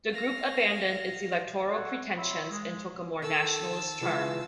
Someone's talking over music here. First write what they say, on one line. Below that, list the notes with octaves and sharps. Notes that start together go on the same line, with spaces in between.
The group abandoned its electoral pretensions and took a more nationalist turn.
F5 A#6
A4 C#5 F#5
F4 C#5 E5 B5 C6 E6
G#3
D#3 A4 A5 E6
C#3 E3 G#3 F4